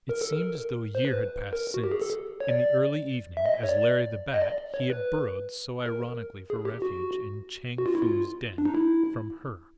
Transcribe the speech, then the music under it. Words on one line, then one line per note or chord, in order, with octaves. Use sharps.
It seemed as though a year had passed since, in the early evening, as Larry the Bat, he had burrowed so ironically for refuge in Chang Foo's den--from her!
A#4
A4
A#4
C5
B4
A#4
F#4
G4
G#4
A4
C#5
D5
E5
D#5
C#5
D5
D#5
D5
C#5
B4
A#4
G#4
G4
F#4
F#4
F4
E4
F4
D4
D#4
E4